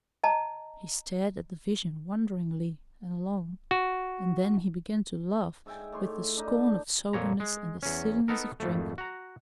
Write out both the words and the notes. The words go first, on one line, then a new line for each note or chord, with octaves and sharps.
He stared at the vision wonderingly and long, and then he began to laugh with the scorn of soberness and the silliness of drink.
D#5 A5 A#5
F#4
G#2 E5 G5 G#5
A2 C#5 C6 D6
D4 D#4
F2 A#2 C#5 A#5
G#3
E2 C#4
B3 D#4 A4 A#4
G#1 F2 A3
F#4 A#5